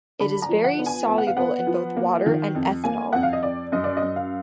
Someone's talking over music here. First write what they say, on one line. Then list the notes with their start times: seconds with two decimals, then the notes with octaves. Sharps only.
It is very soluble in both water and ethanol.
0.20 D3 B5
0.42 A#5
0.49 F3
0.64 F#5
0.78 B3
0.86 G#5
1.08 B3 G#5
1.18 F#5
1.27 F5
1.37 B3 F#5
1.67 F3
1.96 A#3
2.26 D#3
2.55 F2
2.84 A#3 G#5
3.13 F2 F#5
3.23 F5
3.33 D#5
3.43 F2 D5
3.72 F#2 D#5
3.84 D5
3.97 D#5
4.02 F#2
4.16 F5